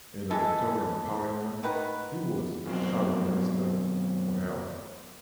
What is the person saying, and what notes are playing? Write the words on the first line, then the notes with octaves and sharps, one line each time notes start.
In the Victorian Parliament he was Shadow Minister for Health.
E3 G#3 A4
D#3 B4 F#5
F#2 B2 C4